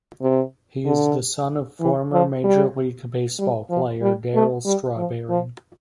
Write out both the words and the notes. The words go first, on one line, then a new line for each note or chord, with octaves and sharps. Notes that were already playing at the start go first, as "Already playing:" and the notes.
He is the son of former Major League Baseball player Darryl Strawberry.
C3
D3
E3
F3
G3
G3
F3
G3
A3
G3
F3
F3